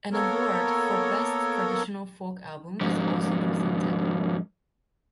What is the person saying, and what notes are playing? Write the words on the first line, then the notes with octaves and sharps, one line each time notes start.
An award for Best Traditional Folk Album was also presented.
A#3 B3 A4 A#4 C#5
F2 G#2